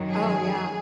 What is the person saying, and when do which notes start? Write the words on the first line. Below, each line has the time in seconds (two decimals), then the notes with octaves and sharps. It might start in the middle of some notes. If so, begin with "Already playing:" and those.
Oh, yeah.
Already playing: F#2 D#3 F#3
0.10 G#4